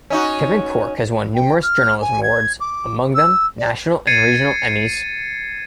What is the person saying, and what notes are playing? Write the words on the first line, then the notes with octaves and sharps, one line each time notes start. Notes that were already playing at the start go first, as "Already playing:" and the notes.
Kevin Corke has won numerous journalism awards, among them national and regional Emmys.
C#4 D#4 F#4
G5
F6
G#5
G#6
D6
E6
D5
G#6 A6 C7 C#7 D#7